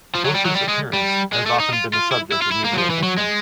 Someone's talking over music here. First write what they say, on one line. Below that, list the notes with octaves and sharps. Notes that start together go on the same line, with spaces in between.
Bush's appearance has often been the subject of media attention.
F3
F#3
G3
F#3
G3
G#3
G3
G#3
A3
D#4
F4
F4
E4
E4
F4
E4
A#3
F#3
F3
E3
F#3
G#3